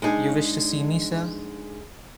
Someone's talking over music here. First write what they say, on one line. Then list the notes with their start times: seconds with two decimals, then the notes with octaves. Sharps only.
You wished to see me, sir?
0.02 G#3 D4 D#4 G#4